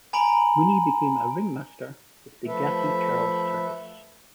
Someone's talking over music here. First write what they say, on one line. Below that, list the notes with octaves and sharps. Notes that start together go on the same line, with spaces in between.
Mooney became a ringmaster with the Gatti-Charles Circus.
G#5 A#5 B5 D7 F#7
F3 A3 A4 B4 E5